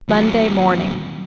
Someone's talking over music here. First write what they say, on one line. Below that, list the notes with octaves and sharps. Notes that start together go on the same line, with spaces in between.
Monday morning.
D#2 F#3